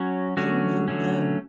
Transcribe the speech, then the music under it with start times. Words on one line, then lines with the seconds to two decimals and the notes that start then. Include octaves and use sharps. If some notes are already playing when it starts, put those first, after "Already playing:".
O no, no.
Already playing: F#3 C#4 F#4
0.37 D3 F#3 A3 C#4 F#4
0.88 D3 F#3 A3 C#4